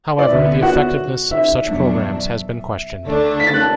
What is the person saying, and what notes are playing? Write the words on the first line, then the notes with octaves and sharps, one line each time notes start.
However, the effectiveness of such programs has been questioned.
D5
D2 D3 B3 E5
F#4 F#5
E5
E2 B2 F#3 D4
D2 D3 A3 D4
B6
A6
F#6
A5